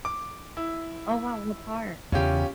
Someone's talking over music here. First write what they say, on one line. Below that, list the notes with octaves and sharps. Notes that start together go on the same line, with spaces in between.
Oh wow, what part?
D6
E4
E2 C#3 C#4 F4 G4